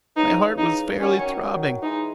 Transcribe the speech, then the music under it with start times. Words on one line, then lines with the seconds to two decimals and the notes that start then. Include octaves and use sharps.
My heart was fairly throbbing.
0.17 C#3 E3 D#4
0.58 D#4
0.99 D#3 F#3 C#4
1.82 E3 G#3 D#4